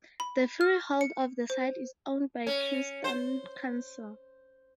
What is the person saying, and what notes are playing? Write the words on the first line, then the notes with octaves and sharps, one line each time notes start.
The freehold of the site is owned by Kingston Council.
B5
F6
C#7
C5
C#4
C5